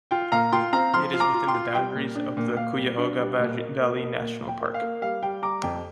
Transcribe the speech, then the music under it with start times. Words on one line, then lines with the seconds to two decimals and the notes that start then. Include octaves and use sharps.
It is within the boundaries of the Cuyahoga Valley National Park.
0.11 F4 G5
0.32 A#2 F5 A#5
0.52 F4 G5 C6
0.73 C4 F5 A#5
0.93 F3 C6 F6
1.13 F4
1.20 A#5 D6
1.34 F4
1.47 G5 C6
1.54 F4
1.75 G3 G5
1.95 A#2
2.15 D4
2.37 A#2
2.57 A#2 F5
2.77 G3
2.98 D4
3.18 G3
3.39 A#2
3.59 A#3
3.80 A#3
3.99 A#3
4.21 A#2
4.41 A#2
4.48 G5
4.61 A#3
4.74 F5
4.81 A#3
5.02 G3 F5
5.22 G3 G5
5.42 G3 A#5 D6
5.63 F2 G5